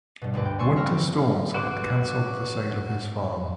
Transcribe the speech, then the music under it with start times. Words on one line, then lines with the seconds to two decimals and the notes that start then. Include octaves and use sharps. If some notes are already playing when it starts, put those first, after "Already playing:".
Winter storms had cancelled the sale of his farm.
0.22 G2 B2
0.34 D2 G2 A#2 B4 D6
0.45 G5
0.59 D5 G#5 C6 C#6 E6
0.76 B5 C#6 E6 F6 A#6
0.92 C4 E4
1.54 F#4 B4 C6 D6